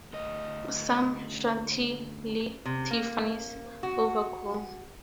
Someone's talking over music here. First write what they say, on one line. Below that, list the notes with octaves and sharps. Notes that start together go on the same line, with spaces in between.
Some Chantilly-Tiffanys' overgroom.
D2 D#5
C3
A#3
F#4